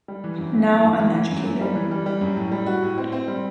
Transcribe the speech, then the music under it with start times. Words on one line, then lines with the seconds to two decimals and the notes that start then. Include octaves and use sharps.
Now I'm educated.
0.08 G3
0.24 E3
0.38 F#2
0.54 F#2
0.69 E3
0.84 F#2
0.99 E3
1.15 E3
1.30 F#2
1.45 F#2
1.61 G3
1.75 E3
1.91 G3
2.06 G3
2.21 F#2
2.36 A2
2.51 G3
2.66 F#4
2.82 A2
2.98 C4
3.12 C4
3.28 G3